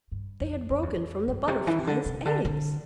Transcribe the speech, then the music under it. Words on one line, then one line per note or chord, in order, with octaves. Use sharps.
They had broken from the Butterfly's eggs!
G2
F2
F2
E2
F2
G2
C3
E3
C3
D3
C3
D3
D3